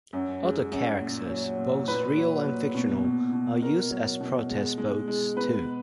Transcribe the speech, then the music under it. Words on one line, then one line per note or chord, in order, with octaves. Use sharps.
Other characters, both real and fictional, are used as protest votes too.
F#2
G#3
F#2
A#2
F#3
A#2
A#2 B4
F#3
A#2
B2
B2
B2
B2 A#4
F#3
B2
G#3
G#3
G#3
B2 B4